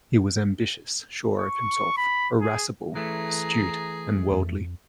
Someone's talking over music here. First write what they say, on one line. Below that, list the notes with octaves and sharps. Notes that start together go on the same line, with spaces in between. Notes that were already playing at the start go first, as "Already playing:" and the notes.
He was ambitious, sure of himself, irascible, astute, and worldly.
C#6
B5
G#4
E3 A3 G#4 A#5
F2